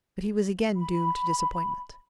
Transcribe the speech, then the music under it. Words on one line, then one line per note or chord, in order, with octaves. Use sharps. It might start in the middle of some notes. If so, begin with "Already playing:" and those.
But he was again doomed to disappointment.
B5